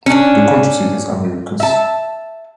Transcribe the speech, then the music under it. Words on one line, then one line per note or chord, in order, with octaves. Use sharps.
The county seat is Americus.
C#4 D4
E5 A5